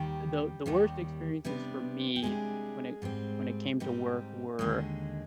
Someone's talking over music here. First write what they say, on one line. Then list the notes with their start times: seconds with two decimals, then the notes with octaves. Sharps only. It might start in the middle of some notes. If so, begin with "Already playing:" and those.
the the worst experiences for me when it when it came to work were
Already playing: D#2 D#3 G3 G4
0.66 D#2 D#3 G3
1.45 C3 G3 B3 D4
2.16 G4
2.22 C3 G3 G#3 B3 D4 G#4
3.02 G#2 G3 C4
3.80 G#2 G3 C4 D#4
4.59 D#2 D3 G#3